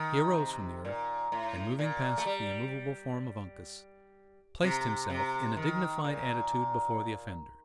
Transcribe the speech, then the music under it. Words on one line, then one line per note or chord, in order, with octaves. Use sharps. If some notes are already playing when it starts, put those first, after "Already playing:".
He arose from the earth, and moving past the immovable form of Uncas, placed himself in a dignified attitude before the offender.
Already playing: D#3
C3
A#2
A2
A#2
A3
G3
C3
C3
D#3
A#2